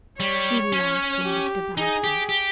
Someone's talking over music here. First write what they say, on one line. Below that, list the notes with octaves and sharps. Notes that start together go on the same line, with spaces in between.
She laughed and looked about her.
G3 C#5
C#4
G4
D#4 G#4
G4
G4